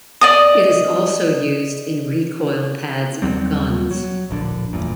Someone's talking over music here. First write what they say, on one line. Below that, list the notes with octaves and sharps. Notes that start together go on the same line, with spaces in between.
It is also used in recoil pads of guns.
D5 D#5 D#6
D#2 F#3 G3 C4
F#3
D1 A#1 B2 D3
F#1 E2 G2 A#2